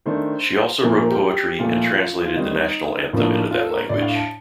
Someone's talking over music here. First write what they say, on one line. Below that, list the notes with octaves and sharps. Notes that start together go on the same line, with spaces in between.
She also wrote poetry and translated the national anthem into that language.
D#3 A3 D4 C5
A#2 F3 A3 A#4
C5
A#4
G4
A#2 F3 A3 F4
F4
D#3 G3 C4 D#4
A2 F3 A#3 D4
F4
A4
A#4
A2 A3 D4 D5
F5
A5